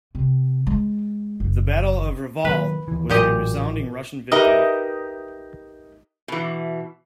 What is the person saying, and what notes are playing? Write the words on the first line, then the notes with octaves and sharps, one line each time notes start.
The Battle of Reval was a resounding Russian victory.
C3
G#3
F#1
D#3 F#3 A#3 B4
D#2 E3
A1 A#2 F#3 G4 D#5
D#4 G4 A#4 B4 D#5 E5
B2 E3